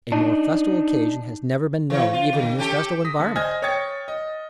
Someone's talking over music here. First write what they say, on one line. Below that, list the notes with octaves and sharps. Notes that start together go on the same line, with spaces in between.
A more festal occasion has never been known even in this festal environment.
D4 D#4
E3 C#5
F4
D3
C#4 G4 A4
D#6 A#6 B6
D3
C5 D#5 G#5 F6 G#6 A#6
C#5 G5 D#6 G#6 A6 C#7
D#5